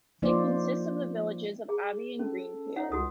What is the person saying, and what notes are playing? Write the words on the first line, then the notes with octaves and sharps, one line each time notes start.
It consists of the villages of Aby and Greenfield.
F3 A#3 D#4 F4 C5 D5
G#4
C#4 A4
D#4 C#5 F#5
C#2 F#4 A4 D#6